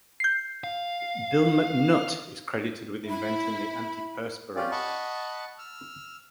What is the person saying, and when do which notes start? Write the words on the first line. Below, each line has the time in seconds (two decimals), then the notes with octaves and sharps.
Bill McNutt is credited with inventing the antiperspirant.
0.20 G6 C7
0.64 F5
3.09 E4 B5
4.56 C#4 F4 G4 D5
4.71 D#5 F#5 A5 B5 C#6
5.58 E6 F6